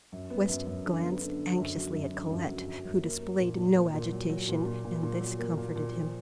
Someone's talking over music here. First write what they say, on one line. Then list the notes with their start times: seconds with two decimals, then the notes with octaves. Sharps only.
West glanced anxiously at Colette, who displayed no agitation, and this comforted him.
0.12 F#2
0.30 B3
0.48 F#2
0.66 F#2
0.84 D3
1.02 B3
1.21 D3
1.39 D3
1.57 F#2
1.75 F#3
1.94 F#2
2.12 D3
2.31 F#2
2.49 F#3
2.67 F#2
2.85 F#2
3.03 A#3
3.21 A#3
3.40 A#2
3.57 A#2
3.76 A#2
3.94 A#2
4.12 F#3
4.30 F#3
4.49 A#2
4.66 A#2
4.85 A#2
5.03 A#2
5.21 F#3
5.39 A#3
5.57 A#2
5.76 A#2
5.93 F3